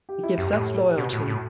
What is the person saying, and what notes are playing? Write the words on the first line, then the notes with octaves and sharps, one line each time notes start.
He gives us loyalty.
G4
E4
F#2 G4
A2
G4
B2 F#4
A2
A2